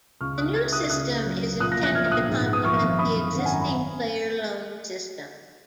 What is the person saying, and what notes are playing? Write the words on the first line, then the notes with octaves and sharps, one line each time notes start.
The new system is intended to complement the existing player loan system.
C#2 C#6 F6
C#2 D#6 F#6
C#3 F6 G#6
C#3 D#6 F#6
C#2 D#6 F#6
C#2
F#3
C#2
A#2 D#6 F#6
F#6 A#6
A#1
F#6 A#6
A#2 F6 G#6
F6
A#1 D#6 F#6
G#2
B3
D#6
F3 C#6 F6
G#1
F#2 B5 D#6
G#1
G#1 F#5
G#5
F#2 A#5
B5